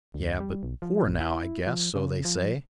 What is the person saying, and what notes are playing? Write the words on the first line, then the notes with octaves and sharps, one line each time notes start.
"Yeah, but poor now, I guess; so they say."
D2
G3
B1
F3
A1
E4
F3
C#3
F3